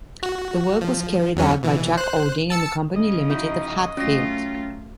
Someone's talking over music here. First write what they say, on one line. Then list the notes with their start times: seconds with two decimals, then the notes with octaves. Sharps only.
The work was carried out by Jack Olding and Company Limited of Hatfield.
0.23 F#4
0.81 F3
1.36 E2 F#3 C#4
1.63 B2 E3
1.97 C5 F#6
2.50 A5 E6 C#7
2.96 C#3 F3 D#5
3.30 D#4 E4 F#4
3.97 F#3 A3 C#4 F4 A#6